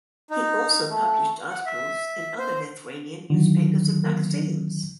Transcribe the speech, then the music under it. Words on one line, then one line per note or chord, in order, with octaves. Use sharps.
He also published articles in other Lithuanian newspapers and magazines.
D#4
A3
F#5
E5
C5
D3 D#3 F#3